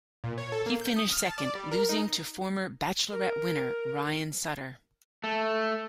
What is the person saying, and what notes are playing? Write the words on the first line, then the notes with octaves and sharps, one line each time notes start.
He finished second, losing to former "Bachelorette" winner Ryan Sutter.
A#2
C#5
A4
A#3
G6
D#6
F6
A5
D5
G3
A#4
D#4
A#4
A3